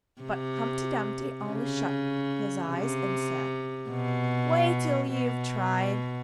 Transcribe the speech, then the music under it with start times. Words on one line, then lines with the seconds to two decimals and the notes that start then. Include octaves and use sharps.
But Humpty Dumpty only shut his eyes and said 'Wait till you've tried.'
0.22 C3
1.44 C#3
2.67 C3
3.90 B2
5.12 B2